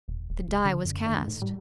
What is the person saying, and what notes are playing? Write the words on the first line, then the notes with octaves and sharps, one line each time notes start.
The die was cast!
E1
D#1
C#2
D3
F#2
D#3
A2
G3